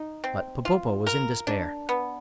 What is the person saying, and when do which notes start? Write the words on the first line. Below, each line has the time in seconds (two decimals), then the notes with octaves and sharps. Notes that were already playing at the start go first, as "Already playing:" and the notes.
But Popopo was in despair.
Already playing: D#4
0.24 C4
0.65 F4
1.07 A#4
1.47 D4
1.89 B3